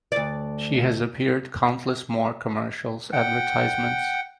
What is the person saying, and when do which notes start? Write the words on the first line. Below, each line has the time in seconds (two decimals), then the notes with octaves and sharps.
She has appeared countless more commercial advertisements.
0.12 D2 D5
3.13 F#5 G5